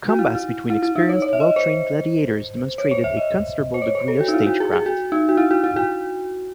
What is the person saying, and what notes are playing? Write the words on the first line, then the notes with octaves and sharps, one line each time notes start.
Combats between experienced, well trained gladiators demonstrated a considerable degree of stagecraft.
F#4
E4
E4
E4
E4
D#4
C#5
C#5
E5
D#5
C5
C#5
C5
E5
D#5
C5
C#5
C5
A4
F#4
D#4
E4
F#4
G#4
G#4
F#4
D#4
F#4
E4
F#4
E4
F#4